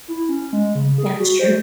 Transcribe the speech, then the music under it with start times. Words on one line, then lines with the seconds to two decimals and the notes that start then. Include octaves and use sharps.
Yeah, it's true.
0.08 E4
0.29 C#4
0.53 G#3
0.75 C#3
0.98 G#4
1.20 F#4
1.39 C5